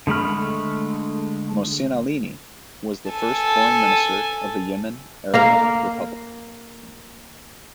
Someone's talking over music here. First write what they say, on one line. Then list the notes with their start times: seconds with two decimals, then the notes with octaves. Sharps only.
Mohsin Alaini was the first Foreign Minister of the Yemen Arab Republic.
0.07 D3 G#3 A3 B5 F6
3.10 A4 G#5
5.34 A#3 A#4 F5